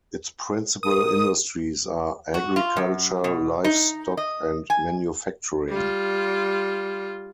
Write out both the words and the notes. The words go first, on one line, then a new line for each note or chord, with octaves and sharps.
Its principal industries are agriculture, livestock, and manufacturing.
A#4 D#6
F#4
F4
F#2
B2
D#4
D#5
G#5
G3 F4